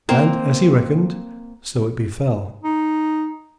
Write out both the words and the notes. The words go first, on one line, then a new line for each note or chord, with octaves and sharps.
And as he reckoned so it befell.
A#3 C4
D#4